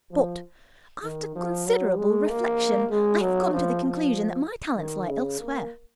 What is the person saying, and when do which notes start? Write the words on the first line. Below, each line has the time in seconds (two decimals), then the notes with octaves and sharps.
But, after considerable reflection, I have come to the conclusion that my talents lie elsewhere.
0.11 F3
1.04 D#3
1.35 F3
1.66 F#3
1.98 G#3
2.29 A#3
2.91 G#3
3.21 F#3
3.53 F3
3.84 F3
4.77 D#3
5.08 C#3
5.39 A#3